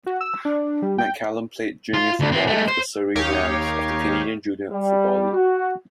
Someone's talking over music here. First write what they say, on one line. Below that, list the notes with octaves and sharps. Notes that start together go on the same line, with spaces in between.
McCallum played junior football with the Surrey Rams of the Canadian Junior Football League.
F#4
E6
D4
G3
G5
F4
D2 D3
E3 C4
G#3 A3
C5
D#2 D#4 G4 C#5 F5
G3
F#4